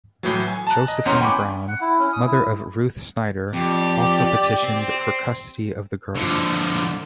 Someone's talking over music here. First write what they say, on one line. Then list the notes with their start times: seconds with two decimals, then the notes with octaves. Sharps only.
Josephine Brown, mother of Ruth Snyder, also petitioned for custody of the girl.
0.23 A2 E3 F#3
0.48 G#5
0.67 A5 A#5 F#6
0.88 D#5
1.05 G1 E2 C#4 F#5 A#5 C6
1.21 G5 G#5 B5 C#6 D6
1.68 F#5
1.81 E4
1.99 C#4
2.12 D#6
2.27 E4
3.53 F2 G4 D5
4.63 C4
6.16 D3 F3